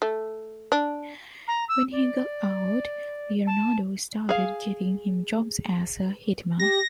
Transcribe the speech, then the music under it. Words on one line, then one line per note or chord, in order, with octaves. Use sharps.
When he got out, Leonardo started getting him jobs as a hitman.
A3
D4
A#5
E6
D5
A5
G#4 F5
G4 A#6